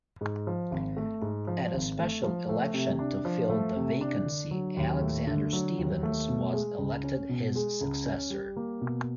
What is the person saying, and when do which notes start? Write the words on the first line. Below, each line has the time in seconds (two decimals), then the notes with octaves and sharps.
At a special election to fill the vacancy, Alexander Stephens was elected his successor.
0.21 G#2
0.47 F3
0.71 G#1
0.97 A3
1.22 G#2
1.47 F3
1.74 G#1
1.99 A3
2.24 F3
2.49 A3
2.74 C3
2.99 D4
3.25 F3
3.50 A3
3.76 C3
4.01 D4
4.26 D3
4.51 F#3
4.77 D#2
5.01 A3
5.27 D3
5.53 F#3
5.78 D#2
6.03 A3
6.29 B2
6.53 G#3
6.78 C#2
7.04 C#4
7.29 B2
7.55 G#3
7.81 C#2
8.06 C#4
8.30 G3
8.56 A#3
8.81 B2